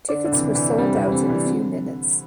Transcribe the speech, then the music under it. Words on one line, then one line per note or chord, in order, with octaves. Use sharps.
Tickets were sold out in a few minutes.
D3 D5
D3
C3 E3
D3
C3 E3
D3 G3 C4
C3 E3
E3
D3 C4
C3 E3
D3 C4